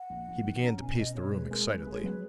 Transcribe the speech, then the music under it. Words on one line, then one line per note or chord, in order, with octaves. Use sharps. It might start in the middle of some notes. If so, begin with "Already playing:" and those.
He began to pace the room excitedly.
Already playing: F#5
A#1
A#1
D#3
C#4 A#5
B2 G#5
C#4 D#5
B2 C#5
G#3 B4
G#3 A#4
G#3 B4
B4
G#3
C#5
F#3 B4